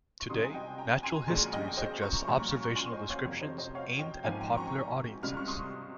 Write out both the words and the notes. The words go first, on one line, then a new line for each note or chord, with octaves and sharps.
Today, "natural history" suggests observational descriptions aimed at popular audiences.
C#6
C#2 C3 D#3 G3 C6 D#6
G#5
D#5 G5
G5 A#5
G#5 C6
A#5
A#1 A#2 G#3 C#4 G#5 C6
D#5 G5
C5 D#5
A#5 C#6
A#1 A#2 G3 C#4 A#5 C#6
A#5 C#6
C#6
G#5 C6
C5 D#5
C#5 F5
F1 F2 C3 C#5 F5
C5 D#5
C5 D#5
C#5 F5
D#5 G5
G#1 G#2 F3 C4 F5 G#5
G5 A#5
A#5 C#6
C#2 C3 G3 F6
C#6 F6
C6 D#6